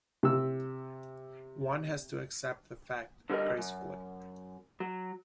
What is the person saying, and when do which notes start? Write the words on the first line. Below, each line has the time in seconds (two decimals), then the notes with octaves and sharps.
One has to accept the fact, gracefully.
0.23 C3 E6
3.30 D3 G3 A4 A#4 D#5
3.58 F#2
4.80 F#3